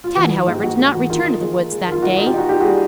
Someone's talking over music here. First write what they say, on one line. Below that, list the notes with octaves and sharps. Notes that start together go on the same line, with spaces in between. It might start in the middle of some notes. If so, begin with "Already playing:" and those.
Tad, however, did not return to the woods that day.
F4
E3 F#4
E3
G#2
G4
G#2 F#4
A3
E3 F#4
D#3 F4
D#3
G#3
D#3
G#3
D#3 F4
D#4 F#4
F#4
D#4
F4 G4
D#4 F#4
D#4 F4 G4
F#4 G#4
G3